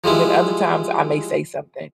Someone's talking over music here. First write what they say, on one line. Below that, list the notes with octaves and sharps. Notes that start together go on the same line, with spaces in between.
and then other times, I may say something
F3 G3 G#3 E4